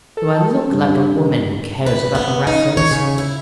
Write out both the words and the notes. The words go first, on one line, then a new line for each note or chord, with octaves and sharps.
'Do I look like a woman who cares about a reference?
A4
G2
B4
B3
D#4
C#5
C#3
E4